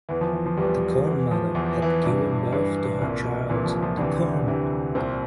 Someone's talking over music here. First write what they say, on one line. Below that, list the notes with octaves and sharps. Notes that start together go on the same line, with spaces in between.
The corn-mother had given birth to her child, the corn.
E2 E3
F3
E3
F3
E2 E3 G3
E2 E3
F3
E2 E3
E3
G2 E3
G2 E3
C2 A#2
C2 A#2 E3
F3
F3
D2 C3 E3 D4
D2 C3 E3
C2 A#2 C4